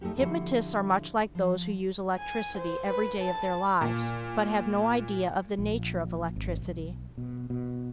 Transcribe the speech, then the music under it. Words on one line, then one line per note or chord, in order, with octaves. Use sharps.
Hypnotists are much like those who use electricity every day of their lives, but have no idea of the nature of electricity.
G3 A3 D#4 F#4 G4
D3 F3 G3 E4 F#4
F3
G#5
C5
B4
A5
A#2
A#1
G#1
B1
B2
B2